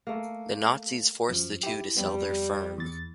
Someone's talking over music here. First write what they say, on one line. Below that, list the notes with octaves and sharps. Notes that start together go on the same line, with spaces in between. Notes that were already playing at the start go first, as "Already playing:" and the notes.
The nazis forced the two to sell their firm.
A3 A#3
F#2 F3
E4 G4
F2 G3 B3
E2 A6